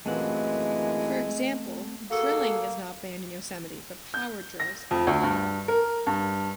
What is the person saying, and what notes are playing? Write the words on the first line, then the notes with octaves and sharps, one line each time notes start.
For example, drilling is not banned in Yosemite, but power drills are.
F#2 A#2 E3 G#3 A3 C4 F#5
A#3 F#4 G#4 A4
G6
A#6
F2
D2
G2
A#4
G2